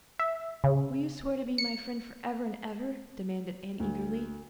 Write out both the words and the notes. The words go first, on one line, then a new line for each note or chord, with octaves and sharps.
"Will you swear to be my friend forever and ever?" demanded Anne eagerly.
E5
C#3
C#7
D2